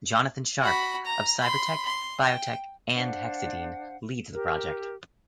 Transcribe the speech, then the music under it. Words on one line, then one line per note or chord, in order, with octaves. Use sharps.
Jonathan Sharp, of Cyber-Tec, Biotek, and Hexedene, leads the project.
F#4 B5
A#5
B5 C6
C6
G5
D4 C5 F5 F#5
G4 A#4